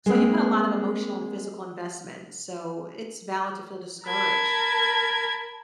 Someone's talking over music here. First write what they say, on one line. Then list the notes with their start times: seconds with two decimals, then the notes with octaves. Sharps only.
So, you put a lot of emotional and physical investments, so it's valid to feel discouraged,
0.06 G#3 A#3 C4
4.05 A#4 A5 B5 G#6